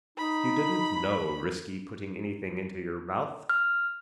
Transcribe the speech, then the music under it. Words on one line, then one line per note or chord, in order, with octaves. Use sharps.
If you didn't know risky putting anything into your mouth.
D#4 B5
F6